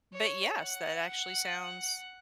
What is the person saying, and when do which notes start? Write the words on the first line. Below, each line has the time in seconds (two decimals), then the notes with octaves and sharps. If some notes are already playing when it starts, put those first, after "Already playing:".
But, yes, that actually sounds
0.13 C#5
0.56 F#5